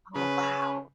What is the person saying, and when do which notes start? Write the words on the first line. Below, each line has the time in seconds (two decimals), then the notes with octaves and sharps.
Oh, wow.
0.16 C#3 C#4 B4